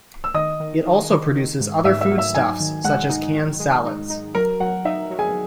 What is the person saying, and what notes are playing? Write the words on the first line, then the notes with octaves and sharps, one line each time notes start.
It also produces other foodstuffs such as canned salads.
E6
D#3 D#5 D#6
D#3
D#3
D#3
D#3
G#2
G#2 E5 E6
E5 E6
F#3
E5 E6
D#4 G#5 G#6
D#3
G#3 F#5 F#6
D#4
D#3
G#3
D#4
D#4
F#3 A#4 A#5
F#3 F#5
D#4 E5
F#3
G#4 G#5